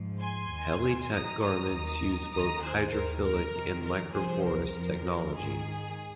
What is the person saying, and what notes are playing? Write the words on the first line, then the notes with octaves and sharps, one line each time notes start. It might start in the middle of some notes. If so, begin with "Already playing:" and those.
Helly Tech garments use both hydrophilic and microporous technology.
Already playing: G#2 F3
G#5 C6
D#2 D#3
F2 D#3 A#5 D#6
A#5 D#6
D#2 D#3
D#2 D#3 A#5 D#6
G#4 C5
D#2 D#3 A#4
A#4
F2 C3 D#3
A#4
C2 C3 F3 G#4 C5
A#4
F2 F3
G#2 D#3 G#4